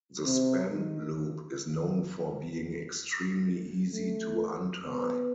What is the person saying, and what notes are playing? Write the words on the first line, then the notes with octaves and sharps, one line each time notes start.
The span loop is known for being extremely easy to untie.
C3
D#3
A3
B3